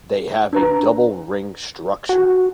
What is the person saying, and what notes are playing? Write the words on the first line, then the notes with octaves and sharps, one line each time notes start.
They have a double ring structure.
D4 B4 A#5
F#4